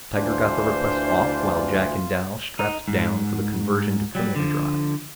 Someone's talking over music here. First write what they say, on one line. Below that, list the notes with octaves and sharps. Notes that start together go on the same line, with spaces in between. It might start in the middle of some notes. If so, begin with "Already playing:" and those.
Tiger got the request off while Jack and Dal strapped down for the conversion to Koenig drive.
D2 E3 D4 F4 C5
D#4
G#2
F#3 G3
D3 F3